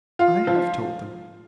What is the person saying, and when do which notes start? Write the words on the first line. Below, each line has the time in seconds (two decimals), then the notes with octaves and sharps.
"I have told them."
0.19 F4
0.47 F3